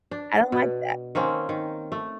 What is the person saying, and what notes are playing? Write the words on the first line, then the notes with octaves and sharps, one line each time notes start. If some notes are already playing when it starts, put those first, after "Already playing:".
I don't like that.
D4
B2
D#3 A#3 C4 C#4
D#3
A3